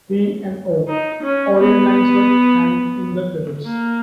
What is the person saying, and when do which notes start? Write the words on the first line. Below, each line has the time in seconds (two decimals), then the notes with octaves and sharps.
P and O - Orient Lines were thanked in the credits.
0.88 D#4
1.23 C#4
1.58 B3
3.66 A#3